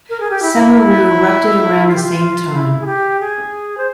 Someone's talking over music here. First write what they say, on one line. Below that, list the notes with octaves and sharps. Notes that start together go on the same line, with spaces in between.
Semeru erupted around the same time.
A#4
G#4
G4
E4
E4
F4
G4
F4
E4
G#4
G4
G#4
C5